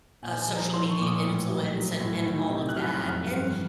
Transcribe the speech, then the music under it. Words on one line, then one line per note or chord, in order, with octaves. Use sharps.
uh, social media influence and and all of that, and,
A#2 G#5
G#5
A5
F3
A#5
F3 C6
C#6
A#2 D6
D#6
A2
F#3
F#3
A2
D#3
C3
F#6
F#3 F6
F#6
F2
F6
G2 F#6
F6
E3